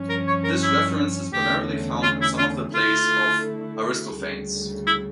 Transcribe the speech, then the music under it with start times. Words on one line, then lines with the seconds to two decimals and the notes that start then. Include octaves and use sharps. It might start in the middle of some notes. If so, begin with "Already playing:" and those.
This reference is primarily found in some of the plays of Aristophanes.
Already playing: G2 F3 C#4
0.09 A#4
0.27 C#5
0.44 A#4
0.63 E4
1.33 E2 D3 A3 C#4 G4
2.03 F4
2.21 E4
2.38 F4
2.74 D3 A3 E4 F4 A4
4.16 D2 C#3 G3
4.87 E4